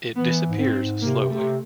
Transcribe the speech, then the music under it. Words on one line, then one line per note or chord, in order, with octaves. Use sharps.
It disappears slowly.
E3 B3
G#2
C4
G#2
C3 A#3
C3 A3